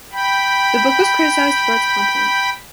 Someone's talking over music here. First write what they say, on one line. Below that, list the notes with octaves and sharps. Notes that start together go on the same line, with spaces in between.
The book was criticized for its content.
G5 B5